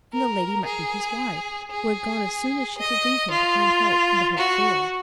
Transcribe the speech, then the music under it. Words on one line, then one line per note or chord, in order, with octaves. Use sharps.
And the lady might be his wife, who had gone as soon as she could leave him to find help, but had failed.
A#4
G#4
G#4
D#5
F4
F#4